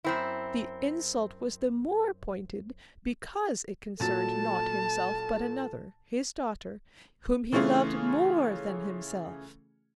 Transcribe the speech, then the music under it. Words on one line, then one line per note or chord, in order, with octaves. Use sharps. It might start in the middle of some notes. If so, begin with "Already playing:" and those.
The insult was the more pointed because it concerned not himself but another, his daughter, whom he loved more than himself.
F#2 C4 E4
A#2 F#3 A4 A5 A6
C#3 E3 A3 C#4 F4 G#4